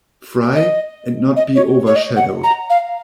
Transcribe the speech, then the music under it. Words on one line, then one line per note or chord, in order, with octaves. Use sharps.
Fry, and not be overshadowed.
D#5
D#5
C#5
C#5
D#5
F#5
A#5
F5